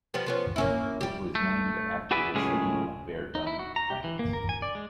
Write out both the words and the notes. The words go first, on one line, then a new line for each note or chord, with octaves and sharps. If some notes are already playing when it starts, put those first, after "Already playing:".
It was named after the city of Verdun, France.
F3 G3 B3
F3 B3 C#4
A#3 C#4 E4
G3 G4
A3
F#4 G#4 B4 D5 E5 B5
C#2 F#2 A2 G#3 C#4 G#4
D#4
E4
F#4
A#5
G4
E3
A#3
A#4
G#5
D5
G#3